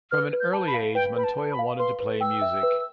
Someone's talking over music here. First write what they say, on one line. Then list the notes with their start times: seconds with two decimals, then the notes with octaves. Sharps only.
From an early age, Montoya wanted to play music.
0.11 B4 F6
0.33 B4
0.40 G6
0.53 A5
0.67 B5
0.74 F5
0.95 B4 G5
1.16 B4 B5
1.24 A5
1.38 A5
1.52 B5
1.59 F5
1.79 B4 C6
2.00 B4
2.21 G5 E6
2.42 E5
2.63 B4